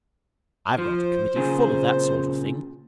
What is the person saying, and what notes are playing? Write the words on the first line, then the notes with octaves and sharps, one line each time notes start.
I've got a Committee full of that sort of thing.
F3 C5
A#2 C#3 G#4